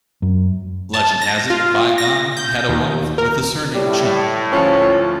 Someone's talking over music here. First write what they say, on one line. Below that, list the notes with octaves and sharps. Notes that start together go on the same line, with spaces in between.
Legend has it that Bi Gan had a wife with the surname Chen.
F#2
A5
A#6
F4
A#6
G6
D#2
A#4
A2 G3
D2 F3 C#4 F4